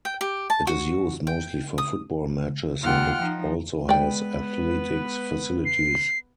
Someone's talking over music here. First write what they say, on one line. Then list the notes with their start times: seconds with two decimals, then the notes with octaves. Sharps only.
It is used mostly for football matches and it also has athletics facilities.
0.05 G5
0.21 G4
0.50 A5
0.67 F#4
1.27 G5
1.78 D#6
2.82 D#2 F4 F#5 G5 F6
3.19 F3 D#4
3.89 G#3 B3 B4 D5 G5
5.65 C7